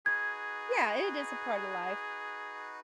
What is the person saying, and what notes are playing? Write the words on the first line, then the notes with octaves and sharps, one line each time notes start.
Yeah, it is a part of life,
D#4 F#4 G#4 B4 G#6